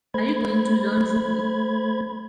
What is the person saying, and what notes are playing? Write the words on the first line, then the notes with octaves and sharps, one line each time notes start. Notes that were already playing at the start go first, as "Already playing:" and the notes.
Are you going to learn Ruby?
A3 C5 B5 G#6